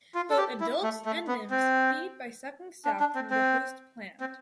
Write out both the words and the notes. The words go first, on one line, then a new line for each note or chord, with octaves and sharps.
Both adults and nymphs feed by sucking sap from the host plant.
F4
A4
G4
E4
A3
A3
B3
C4
D4
D4
C4
C4
C4